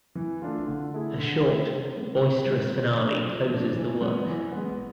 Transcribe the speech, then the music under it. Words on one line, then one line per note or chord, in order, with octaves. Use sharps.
A short, boisterous finale closes the work.
E3
A3 D4 F4
D3
A3 E4 G#4
D3
A3 E4 G#4
C3
G#3 B3
C3
G#3 B3
F3
A3 D4
F3
A3 D4
E3
G#3 B3
E3
G#3 B3